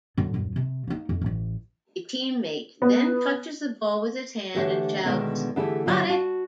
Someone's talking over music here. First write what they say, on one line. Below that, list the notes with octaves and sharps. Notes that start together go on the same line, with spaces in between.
A teammate then touches the ball with his hand and shouts Got it!
F#2 D3
D#1 F#2
C3
A#3 D#4
F2
A1 E3
B3
D3 E3 A3 G4 C5 C#5
B2 D3 D#3 G#3 A3 B3
D3 E3 A3 E4 G4 G#4
D2 G#2 D3 F#3 A#3 F4
F#4 A5